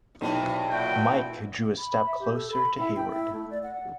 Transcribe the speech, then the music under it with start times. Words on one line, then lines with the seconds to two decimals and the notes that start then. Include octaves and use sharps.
Mike drew a step closer to Hayward.
0.21 B1 G2 C3 E3 F#3
0.70 A#2 E4 F#4 G5
1.78 B5
2.06 E5
2.19 G4
2.34 A4
2.52 B5
2.78 E4
2.96 G5
3.09 E4
3.33 A3
3.50 D5
3.63 F#5